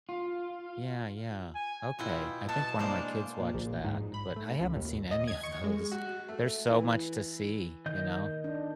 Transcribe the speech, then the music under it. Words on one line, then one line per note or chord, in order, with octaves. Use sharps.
Yeah, yeah, okay, I think one of my kids watched that, but I haven't seen any of those. There's so much to see, you know?
F4
G#5
B2 E4 F4 G5
B2 A5
G#3 A#3 D4 C5
A#2
A#1
G#2
B5
A3
C#2
D#2
D#5
G#6
C#6
G#3
F#4
A3
E3
D#3 D#5 G6
D4